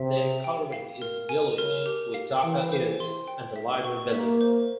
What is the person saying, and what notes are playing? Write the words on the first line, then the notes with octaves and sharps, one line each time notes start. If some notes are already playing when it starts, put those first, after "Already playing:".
Their coloring is yellowish, with darker ears and a lighter belly.
Already playing: C3 E5
G#4
G5
F5
A#4
G#5
C#3 A#4
G4
F5
E3 G5
C5
C6
G5
E5
C#6
A#3 E5
C5